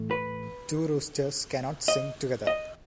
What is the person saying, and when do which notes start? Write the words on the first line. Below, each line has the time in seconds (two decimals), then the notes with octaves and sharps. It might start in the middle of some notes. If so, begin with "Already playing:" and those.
Two roosters cannot sing together.
Already playing: A2 E3 A3
0.11 B4
1.88 D#5
2.47 D#5